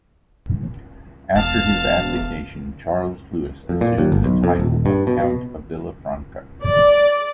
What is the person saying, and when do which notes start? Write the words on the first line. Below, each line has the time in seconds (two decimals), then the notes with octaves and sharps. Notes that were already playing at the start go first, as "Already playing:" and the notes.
After his abdication Charles Louis assumed the title of Count of Villafranca.
1.35 E1 F5 A5
3.69 F2
3.81 A#2
3.98 D#2
4.12 G1
4.24 B1
4.44 F2
4.60 D#1
4.86 G2
5.07 B2
5.20 B2
6.62 D5